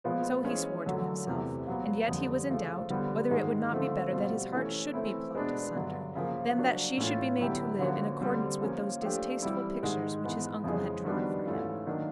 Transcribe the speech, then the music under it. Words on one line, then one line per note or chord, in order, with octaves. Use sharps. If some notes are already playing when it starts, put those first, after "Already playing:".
So he swore to himself;--and yet he was in doubt whether it would not be better that his heart should be plucked asunder, than that she should be made to live in accordance with those distasteful pictures which his uncle had drawn for him.
A#2 F3 G#3 B3
E3 G#3 C#4
F#2 D3 F#3 A3
E2 C3 E3 A3
A#2 F#3 B3
F2 D3 G3
C#3 F3 A3
D3 G3 B3
G#2 D#3 G#3
D3 F3 A3 C4
B2 G3 C4 F4
E3 A3 C#4
E3 A3 C4 E4
B2 G#3 B3 D4
G2 D3 F#3
C#3 F3 A#3
F#3 A#3 D4 F#4
A2 E3 A3 C#4 F4
D3 F#3 B3 E4 G4
D3 F3 A#3 C#4 F#4
D3 G3 C4
F3 A#3 C#4
F3 A3 D4 G4
E3 G3 C4 E4
G#2 D#3 G#3
G#2 E3 G#3 B3
F2 C#3 E3 G#3
D#3 G3 B3 D4 F#4
G#2 E3 A3 C#4 F4
D#3 F#3 A#3 D4